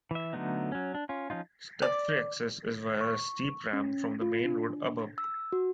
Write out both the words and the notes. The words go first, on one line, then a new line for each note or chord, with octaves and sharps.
Step-free access is via a steep ramp from the main road above.
E3 E5
D3 F#3 A3 B3 D#4
F#3 C#4
D4
C#4 F4
F3 C#4 D#4 F4
D5
C#6
C#4
F4
D4
E6
F#4